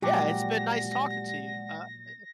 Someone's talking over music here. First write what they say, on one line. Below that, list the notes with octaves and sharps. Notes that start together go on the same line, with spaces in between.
Yeah, it's been nice talking to you. Uh, eh
A#2 F3 F#3 G#3 G4 D5 F#5 A#6